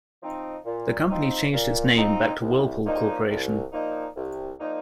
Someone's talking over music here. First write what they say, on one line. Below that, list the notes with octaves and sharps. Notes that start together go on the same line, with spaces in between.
The company changed its name back to Whirlpool Corporation.
F3 C4 D#4
A#2
F3 C4 D#4
A#2
F3 C4 D#4
C2
A#2 F3 A#3 D#4
C2
A#2 F3 A#3 D#4
C2
A#2 F3 A#3 D#4